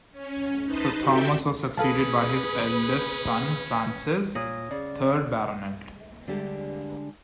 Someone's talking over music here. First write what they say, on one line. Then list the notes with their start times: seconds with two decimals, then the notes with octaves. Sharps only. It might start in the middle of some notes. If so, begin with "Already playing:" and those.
Sir Thomas was succeeded by his eldest son Francis, third Baronet.
0.11 C#4
0.64 D#4 B4 C5 D#5 A5
1.00 F#4 G4 A4 E5 G5
1.77 C#4 G#4 A4 B4 F5 A5
4.35 A#2 C#5 D#6 A#6
4.71 C#3 D5
6.28 D3 G3 G#3 D4 G4